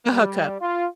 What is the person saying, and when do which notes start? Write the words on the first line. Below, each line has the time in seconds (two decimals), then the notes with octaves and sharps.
A hookup.
0.12 G3
0.61 F4